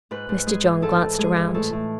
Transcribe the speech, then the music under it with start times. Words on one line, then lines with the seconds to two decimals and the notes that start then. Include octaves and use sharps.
Mr. John glanced round.
0.11 G#2 B4
0.29 G#2
0.47 G#3 G#4
0.65 E3
0.82 G#2 A4
1.00 G#2
1.19 G#3 G#4
1.37 E3
1.54 A2 A4
1.73 A2